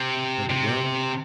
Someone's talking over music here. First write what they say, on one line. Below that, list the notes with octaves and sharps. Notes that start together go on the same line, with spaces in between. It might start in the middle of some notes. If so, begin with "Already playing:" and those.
Very well.
Already playing: C3
C3